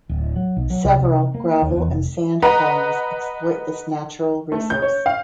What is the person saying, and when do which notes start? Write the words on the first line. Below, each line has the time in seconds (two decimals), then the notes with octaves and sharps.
Several gravel and sand quarries exploit this natural resource.
0.09 D1
0.36 F#3
0.57 B1
0.70 F#3
0.84 C2
0.99 C3
1.35 A#3
1.62 D#2
1.76 E2
1.88 F1
2.42 B4 D#5 F#5 A#5
4.52 A3
4.70 G6
4.82 C#5
5.06 F5